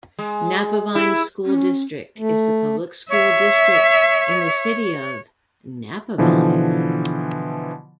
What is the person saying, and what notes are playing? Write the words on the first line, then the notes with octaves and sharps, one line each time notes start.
Napavine School district is the public school district in the city of Napavine.
G#3
E4
C#4
A3
C#5 E5
B2 D3 E3 F3